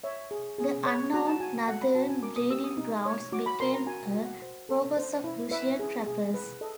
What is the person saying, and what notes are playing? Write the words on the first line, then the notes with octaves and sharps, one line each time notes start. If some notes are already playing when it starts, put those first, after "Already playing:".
The unknown northern breeding grounds became a focus of Russian trappers.
C#5 E5
G#4
G#4
C#5
F#4 A#5
A5
F#4 G#5
A4 F#5
B5
F#4 A5
G#5
A#4 D6
D#6
G4 E6
D#6
D#4
C#5
F#4 D6
B5
A#4 C6
A#5
F#4 G#5
G5
F#4
F#5
C5
A4
C5
E4
B4 E5
G#4
G#4
B4
A4 D#5